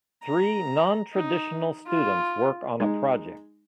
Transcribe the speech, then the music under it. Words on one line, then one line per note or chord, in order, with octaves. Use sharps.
Three nontraditional students work on a project.
A#5
D#4
F4
G#3 D#4